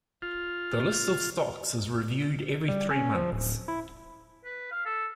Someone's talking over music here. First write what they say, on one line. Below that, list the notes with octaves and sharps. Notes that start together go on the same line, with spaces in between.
The list of stocks is reviewed every three months.
F4
G3
C#4
F3
D1
E4
B4
F5
A4